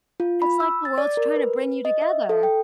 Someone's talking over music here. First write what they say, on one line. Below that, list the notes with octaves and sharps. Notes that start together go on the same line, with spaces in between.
it's like the world's tryna bring you together.
F4
B5
E6
A6
D5
A#4
B4
D#5
E5
A4
G5